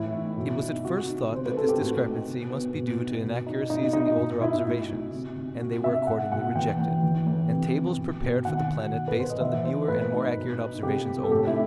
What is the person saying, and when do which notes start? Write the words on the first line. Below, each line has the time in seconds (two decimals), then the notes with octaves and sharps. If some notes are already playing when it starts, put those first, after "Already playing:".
It was at first thought that this discrepancy must be due to inaccuracies in the older observations, and they were accordingly rejected, and tables prepared for the planet based on the newer and more accurate observations only.
Already playing: A2 E3 E4
0.13 D#4
0.37 B2
0.60 D#4
0.84 C3 F#4
1.08 D#4
1.32 C3 C5
1.46 B4
1.55 C4 A4
1.69 G4
1.80 A2 F#4
2.03 D#4
2.27 C3
2.50 B3
2.74 B2
2.99 D#4
3.23 B2
3.47 D#4
3.70 B2 D#4
3.93 D#4
4.17 B2
4.40 B2 E4
4.65 A2 F#4
4.89 D#4
5.12 C3
5.36 C3
5.60 C3 F#4
5.84 C3 E5
6.07 B2 F#5
6.32 B2 F#5
6.55 E3 G5
6.79 E3
7.03 E3
7.27 E3
7.50 C3
7.75 C4
7.97 B2
8.22 B2
8.45 D#3 F#5
8.69 D#3
8.93 B2
9.08 B4
9.16 B2 C5
9.30 D#5
9.40 E3 E5
9.64 D#4 C5
9.88 A2 B4
10.12 D#4
10.36 B2
10.60 D#4
10.83 C3 G4
11.07 C3
11.23 A4
11.31 A2 G4
11.47 E4